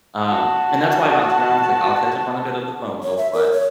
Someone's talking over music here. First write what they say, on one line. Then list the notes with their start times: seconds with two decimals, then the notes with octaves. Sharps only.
Um, and that's why I bounce around, it's like I'll catch up on a bit of the FOMO, but
0.25 F#4 A5
3.03 C#5
3.17 E5
3.33 A#4
3.52 C#5